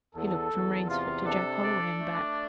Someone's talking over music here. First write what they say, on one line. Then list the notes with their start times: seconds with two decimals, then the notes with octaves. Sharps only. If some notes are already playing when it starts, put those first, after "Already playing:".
He looked from Rainsford to Jack Holloway and back.
0.15 E2 A4
0.52 E2
0.88 C3 F4
1.25 D4 A4
1.63 D5
2.00 A3